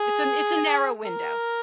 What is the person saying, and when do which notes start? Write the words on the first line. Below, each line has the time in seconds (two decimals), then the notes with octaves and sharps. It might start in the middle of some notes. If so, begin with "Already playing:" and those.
It's a it's a narrow window.
Already playing: G#4
1.04 A#4